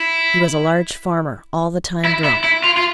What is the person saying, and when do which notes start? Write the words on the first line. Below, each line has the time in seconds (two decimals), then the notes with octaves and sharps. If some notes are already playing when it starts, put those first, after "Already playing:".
He was a large farmer, all the time drunk.
Already playing: E4
2.05 E4
2.24 E4
2.44 E4
2.64 F4
2.77 F4